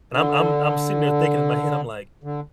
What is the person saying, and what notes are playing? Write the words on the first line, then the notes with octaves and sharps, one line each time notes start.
and I'm I'm I'm sitting there thinking in my head, I'm like,
D3
D3